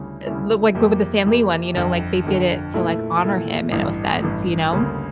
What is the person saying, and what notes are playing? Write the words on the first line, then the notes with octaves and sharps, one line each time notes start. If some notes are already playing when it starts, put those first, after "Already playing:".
uh like go with the Stan Lee one, you know, like they did it to like honor him in a sense, you know?
Already playing: D2 C#3 G3 C#4 E4
D2 C#3 G3 C#4 E4
F2 E3 A#3 E4 G4
F2 E3 A#3 E4 G4
G1 F2 D3
G1 F2 D3
A#2 A3 E4
A#2 A3 E4
A1 G2 E3
A1 G2 E3
D2 C#3 G3 A#3